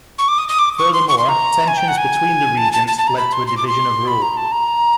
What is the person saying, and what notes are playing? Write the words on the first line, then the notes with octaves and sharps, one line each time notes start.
Furthermore, tensions between the regents led to a division of rule.
C#6
D6
D#6
D#6
D6
C#6
C6
C#6
C6
A#5
G#5
G5
F#5
G#5
A5
A5
A5
A5
A#5
B5
C6
C6
D6
C6
B5
A#5
A5
A#5